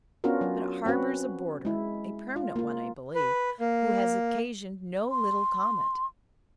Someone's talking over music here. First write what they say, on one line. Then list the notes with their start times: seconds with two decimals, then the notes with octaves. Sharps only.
But it harbours a boarder, a permanent one, I believe, who has occasioned no little comment.
0.24 B3 C#4 D4 F4 F#4 A#4
0.41 F#3 F4
0.86 C4 C#4 F#4 B4
1.65 G#3 E4
2.36 F4
2.56 A#3 F4
3.15 B4
3.60 A#3
5.11 C6